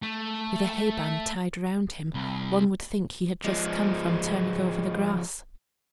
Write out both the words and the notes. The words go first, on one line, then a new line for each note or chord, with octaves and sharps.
With a hay band tied round him, one would think he had just come from turning over the grass.
A3
C2
F3 G#3